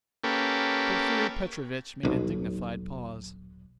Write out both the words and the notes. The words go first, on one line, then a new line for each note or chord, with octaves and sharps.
Porfiry Petrovitch made a dignified pause.
A#3 C#4 G4 A4 B4
D#1 B1